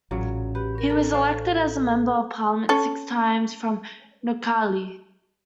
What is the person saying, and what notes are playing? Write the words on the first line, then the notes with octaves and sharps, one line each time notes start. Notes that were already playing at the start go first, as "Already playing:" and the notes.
He was elected as a Member of Parliament six times from Noakhali.
A1 A#2 C#3 F#3
G4 B4
C#4 A#4
A4 A#4
C5 D5 F5
C#4 A4